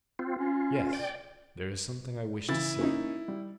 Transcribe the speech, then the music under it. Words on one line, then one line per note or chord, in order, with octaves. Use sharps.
"Yes, there is something I wish to see."
C4 F4
C#4 F4
D5 G5
C#3 E3 E4 A6
A#3 C#4 D#4
G3